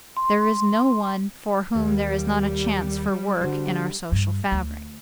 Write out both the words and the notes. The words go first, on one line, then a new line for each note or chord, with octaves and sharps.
There is no one for whom there is not a chance for work in our social fabric.
C6
D#2 G3
D3 F#4 C5
G2
D2